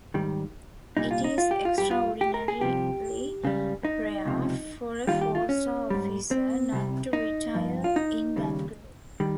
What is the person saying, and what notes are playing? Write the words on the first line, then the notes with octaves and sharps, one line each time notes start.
It is extraordinarily rare for a four-star officer not to retire in that grade.
G#2 D#3 G3
C2 A#2 G3 D#4
F4
D#4
F4
G4
F4
G2 G3 G4
F4
G4
A#4
G#4
C2 C3 F3 G4
C#2 C#3 G3
D#4
C#2 C3 F3
D#2 D#3 G3 F4
G4
F4
C#4
G#2 G3
C4
C2 C3 G3
D#4
G2 F3
F4
D#4
D#2 C#3 G3
D#3 G3